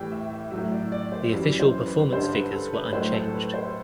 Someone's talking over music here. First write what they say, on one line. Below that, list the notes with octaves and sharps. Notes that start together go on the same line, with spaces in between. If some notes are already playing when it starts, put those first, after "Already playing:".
The official performance figures were unchanged.
Already playing: A2 E3 G3 G5
E5
E5
A2 F#3 E5
D5
D5
C5
F#2 E3 G3
C5
B4
G2 D3 G3 C5
B4
A4
B4
A2 F#3 C5
A4
B4
C5